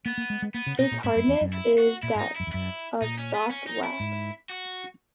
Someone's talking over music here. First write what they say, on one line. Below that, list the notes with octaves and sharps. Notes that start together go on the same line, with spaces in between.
Its hardness is that of soft wax.
A#3 B3
A#3
G#3
G#3
A#3 B3
C#3
B2 D#4
A#2
G#2 E4
F#2
E2
F#2
E4
F#4
A#2 E4
G#2
D#4
F#2 E4
E2
F#2 E4
A#2 D#4
C#4
B3
C#4
D#4
E4
G#2
F#4